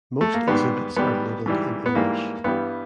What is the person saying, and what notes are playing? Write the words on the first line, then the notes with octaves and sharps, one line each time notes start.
Most exhibits are labelled in English.
A3
A#3
G#2 D#3 G3 B3
G#2 D#3 G3 B3
G#2 E3 G3
B3
G#2 E3 G3 A#3
G2 E3 G3 B3